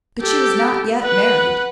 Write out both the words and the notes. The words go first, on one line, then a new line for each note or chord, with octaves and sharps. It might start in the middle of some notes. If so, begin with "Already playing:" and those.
But she was not yet married.
G4 A4
B4 F#5